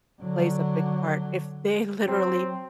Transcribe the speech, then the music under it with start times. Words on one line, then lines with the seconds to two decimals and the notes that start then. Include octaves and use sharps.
plays a big part if they literally,
0.22 D3 F#3
2.08 F#3 C4